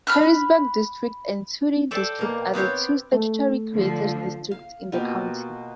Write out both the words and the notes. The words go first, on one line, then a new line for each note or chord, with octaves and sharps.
Careysburg District and Todee District are the two statutorily created districts in the county.
B5 F6 F#6
G4 A4 C5 D5 E5
B2 A#3
B3 C4 G4 C#5
A3
D3 F3
F5
B2 A#3 F4 G4